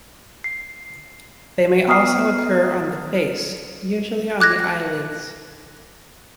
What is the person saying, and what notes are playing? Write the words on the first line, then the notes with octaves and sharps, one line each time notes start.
They may also occur on the face, usually on the eyelids.
C7
B3 A#5 D#6 F6 C7
D6 F#6 G#6 A#6